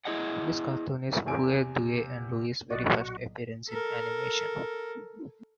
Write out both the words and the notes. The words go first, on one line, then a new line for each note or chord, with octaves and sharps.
This cartoon is Huey, Dewey, and Louie's very first appearance in animation.
E4 G#4 D#5 F#5
E2 C3 G#5 D7
B1 A#2 F#4 D5 D#5
A4 A#4